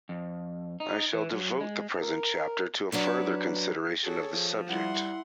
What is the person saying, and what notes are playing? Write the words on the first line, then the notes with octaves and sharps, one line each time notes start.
I shall devote the present chapter to a further consideration of the subject.
F2
D#4
E3
F#3
G#3
A#4
F#3 D4 B4
F#4 G#4 A4 C#5
F3
G3 E4 F#5 C6